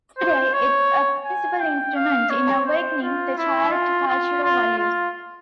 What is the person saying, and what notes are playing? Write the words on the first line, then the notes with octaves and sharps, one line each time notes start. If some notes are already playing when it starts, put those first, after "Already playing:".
Today it is a principal instrument in awakening the child to cultural values.
C5
C#5
G#5
G5
F5
C#5
C5
F4
E4
F4
F4
F4
F4